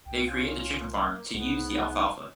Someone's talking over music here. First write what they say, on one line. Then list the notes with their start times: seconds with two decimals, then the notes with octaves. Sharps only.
They created a chicken farm to use the alfalfa.
0.06 C2 G5
0.27 C#4 F4
0.87 A#3
1.34 C2 G#2 B3